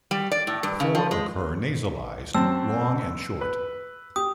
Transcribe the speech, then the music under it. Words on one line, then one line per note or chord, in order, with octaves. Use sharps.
Four occur nasalized, long and short.
G3
D5
A2
G2
C#3
F3
G#3
F#2 C4 A5 E6
B4
G4 D#6